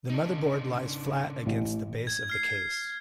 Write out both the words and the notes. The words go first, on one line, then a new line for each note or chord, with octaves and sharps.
The motherboard lies flat against the base of the case.
C#3 D4 D#4
A1
G#6
F6 C7